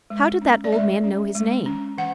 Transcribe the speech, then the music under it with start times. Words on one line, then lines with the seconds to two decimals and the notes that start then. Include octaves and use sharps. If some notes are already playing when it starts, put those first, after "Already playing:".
How did that old man know his name?
0.10 G#3
0.42 C#4
0.64 D5
0.72 G#3 E5
1.04 C#4
1.35 G#3
1.66 C#4
1.98 E3 F#5